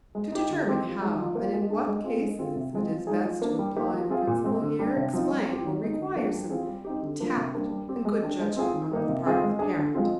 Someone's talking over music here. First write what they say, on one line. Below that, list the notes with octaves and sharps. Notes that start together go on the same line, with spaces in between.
To determine how and in what cases it is best to apply the principle here explained will require some tact and good judgment on the part of the parent.
G#3
D#4 G4
D3
G#3 C4 G4
F3
G#3 D#4
F3
A#3 F4
G#3
D4 G#4
G#3
C4 F4 G#4
G#3
C4 F4 G#4
C3
F3 G#3 C4
F3
G#3 D#4 G#4
F3
A#3 D4
G3
A#3 D#4 G4
F3
C4 F4 G#4
A#2
G#3 C4
D3
G3 D4
C3
F3 C4 D#4
G3
C4 G4
D#3
G#3 D#4
D3
F3 A#3 D4 G#4
G3
C4 F4 G#4
G3
C4 D#4 G4
D3
F3 A#3 D4
C3
G3 A#3 D4
G3
C4 G4
G#3
D4 G4
G#3
C4 F4 G#4
D#3
G3 A#3 D#4
C3
G3 C4 F4 G#4
G#3
D4 G#4
D3
F3 G#3 C4 F4